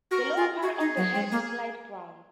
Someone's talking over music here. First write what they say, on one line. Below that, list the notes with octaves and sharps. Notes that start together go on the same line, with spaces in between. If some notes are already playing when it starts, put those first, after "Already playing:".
The lower part of the head is light brown.
F#4 A#4
F4
F#4 G#4
D#4
F#3
G#3
A#3